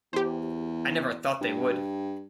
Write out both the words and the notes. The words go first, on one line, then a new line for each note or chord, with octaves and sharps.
I never thought they would.
E2 G4 C5
G2